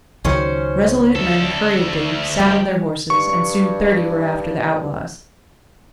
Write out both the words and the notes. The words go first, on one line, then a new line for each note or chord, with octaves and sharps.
Resolute men hurriedly saddled their horses, and soon thirty were after the outlaws.
C#2 D#3 F#3 C#4 C5
D2 A4
G3 G4
G2 C#6